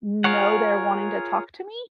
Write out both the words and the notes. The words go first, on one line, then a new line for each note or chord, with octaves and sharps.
know they're wanting to talk to me
F4 G#4 A#4 C#5 F#5